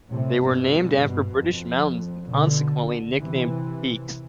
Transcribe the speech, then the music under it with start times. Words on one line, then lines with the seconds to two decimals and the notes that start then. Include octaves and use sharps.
They were named after British mountains, and consequently nicknamed Peaks.
0.11 A2 C3
0.41 G2 B2
1.04 G2 B2
1.35 F2
2.28 B2 D3
3.20 C3 E3